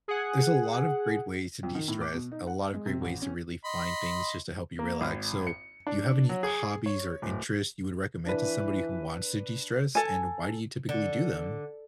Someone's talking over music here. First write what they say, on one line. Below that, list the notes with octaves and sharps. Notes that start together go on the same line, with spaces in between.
There's a lot of great ways to destress, a lot of great ways to really find things just to help you relax, so do you have any hobbies or interests you would recommend to somebody who wants to destress, and why do you typically do them?
G#4 F#5
F2
D#3
A2
D6
B2
D#4
F#5
G#3
C3
A1
C#4
D#5 B5 C6
A#3
G#1
C#7
D4
F#3
G#4
C#5
D1
E3 D4 B4
A4 G#5
D3